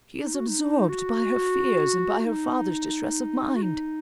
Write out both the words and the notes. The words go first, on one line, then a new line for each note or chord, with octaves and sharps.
She is absorbed by her fears and by her father's distress of mind.
D#4
F#4
D#4
F#4
F#4
D#4
F#4
D#4